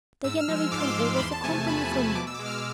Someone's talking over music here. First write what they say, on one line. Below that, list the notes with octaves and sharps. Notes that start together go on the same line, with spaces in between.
Diana will come over for company for me.
G#2 E6
F6
F3 G#3
E6
G#2 D6
C6
D6
F3 G#3
B5
E2 C6
A5
C3 F3 A3 G#5
E2 B5
C3 F3 A3
B2 D6
E6
D6
G#3 E6
F6
E6